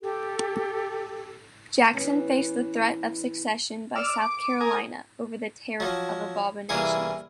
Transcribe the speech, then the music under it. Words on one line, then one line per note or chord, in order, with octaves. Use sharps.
Jackson faced the threat of secession by South Carolina over the Tariff of Abominations.
G4 A4
E3 B3 C#4
D5 E6 F6
D6
A#4 G#5 D#6
F3 F#3
C2 E3 A#3 E4 G#4